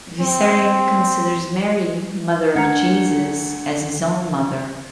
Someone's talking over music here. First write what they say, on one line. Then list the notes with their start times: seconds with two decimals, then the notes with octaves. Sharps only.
Vissarion considers Mary, mother of Jesus, as his own mother.
0.20 C4
2.55 D2 D4 A#4 F#5 A#5 G#6 C#7